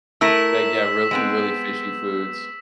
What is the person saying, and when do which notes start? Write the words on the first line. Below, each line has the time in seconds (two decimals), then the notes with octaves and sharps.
they get really, really fishy foods.
0.21 A3 E4 A#4 E6 B6 E7
1.11 G#3 B3 C4